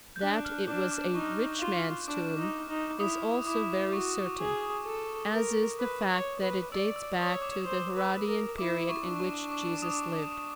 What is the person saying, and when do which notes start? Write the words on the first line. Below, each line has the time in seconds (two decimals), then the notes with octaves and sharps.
That it was a "rich man's tomb" is also very certain, as is the fact that it dates back to the Herodian period in which Jesus lived.
0.16 G6
0.21 D4 F#6
0.45 F6
0.67 D4 D6
0.91 D6
1.14 D#4 C#6
1.60 F4
2.07 D4 D6
2.38 D#4
2.69 D#4
3.00 E4 D#6
3.46 E4 D6
3.93 F#4 C#6
4.40 G#4
4.86 A4
5.32 A#4
5.79 B4 D6
6.11 C#5
6.41 B4
6.72 D5 E6
6.96 E6
7.19 C#5 D#6
7.42 D6
7.65 C5
7.96 B4
8.27 A#4
8.58 E4 D6
8.89 C#6
9.05 D4
9.20 C#6
9.51 D6
9.82 D#6
10.13 D6